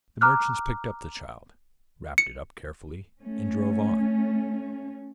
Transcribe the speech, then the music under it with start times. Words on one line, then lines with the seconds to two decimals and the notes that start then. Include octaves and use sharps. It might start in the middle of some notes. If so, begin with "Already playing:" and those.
The merchants picked up the child, wrapped it up carefully, and drove on.
0.21 A#5 D6 F6 F#6
2.18 C#7
3.22 A3 C#4